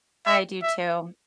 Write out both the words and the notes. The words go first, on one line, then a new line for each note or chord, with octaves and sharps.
I do, too.
E5
E5